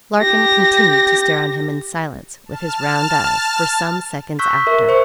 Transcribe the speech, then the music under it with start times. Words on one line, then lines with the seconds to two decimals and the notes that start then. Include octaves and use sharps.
Larkin continued to stare on him in silence, with his round eyes, for some seconds after.
0.19 G4 A#6
2.46 A5 F6
4.39 C#6 E6 F#6 G6 B6
4.67 A#4 E5
4.89 C5 C#6